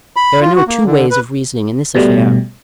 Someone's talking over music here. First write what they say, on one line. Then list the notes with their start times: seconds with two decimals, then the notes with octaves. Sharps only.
There are no two ways of reasoning in this affair.
0.16 B5
0.41 F4
0.56 F#4
0.67 A#3
0.86 D3
1.11 B4
1.95 B2 G3 A3